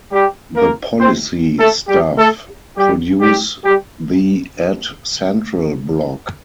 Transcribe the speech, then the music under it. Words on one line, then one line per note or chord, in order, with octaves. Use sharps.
The policy staff produce the EdCentral blog.
G3 G4
A#3 A#4
C4 C5
A3 A4
G3 G4
A3 A4
G3 G4
G3 G4
G3 G4